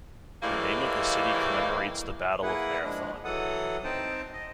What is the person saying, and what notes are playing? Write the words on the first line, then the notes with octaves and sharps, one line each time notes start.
The name of the city commemorates the Battle of Marathon.
A2 E3 G3 G#3 A#3
A#3 E4 G#4 B4 F#5
F3 G#3 D4
E3 F#3 A4 F#5 D#6
C4 D#4 C5 G5 A5
D#5